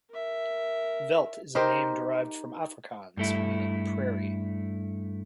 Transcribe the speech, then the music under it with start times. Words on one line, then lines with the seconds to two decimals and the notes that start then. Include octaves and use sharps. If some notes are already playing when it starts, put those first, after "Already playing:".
Veldt is a name derived from Afrikaans, meaning "prairie".
0.11 A#4 E5
1.55 D#4 G4 A#4 C5
3.17 G2 A3 E4